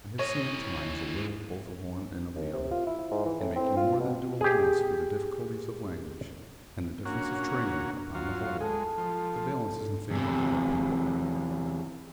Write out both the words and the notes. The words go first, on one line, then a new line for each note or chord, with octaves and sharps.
I have seen at times, a little, both of one and of the other, and making more than due allowance for the difficulties of language, and the difference of training, upon the whole, the balance is in favour of our people.
E3 C#5 D#5
D#2
C3
F4
E4
G#2
E3
A2
C4
F4
B2
G4 G#4
A#3 C#4 D4 F#4
F#3 F4
F5
G#3 A4 A5
F3
E2 C3